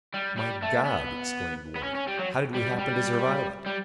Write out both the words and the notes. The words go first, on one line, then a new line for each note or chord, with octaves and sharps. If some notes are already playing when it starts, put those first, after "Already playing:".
"My God," exclaimed Warner, "how did we happen to survive it!"
G3
G3
A3
B3
B3
C#4
C#4
G3
F#3
G3
G3
G3